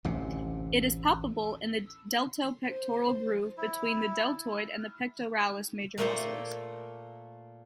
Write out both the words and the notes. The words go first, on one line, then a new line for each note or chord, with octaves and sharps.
It is palpable in the deltopectoral groove between the deltoid and pectoralis major muscles.
A1 D2 C3
C5
E4
A#2 A3 A#3 A4 C5 A#5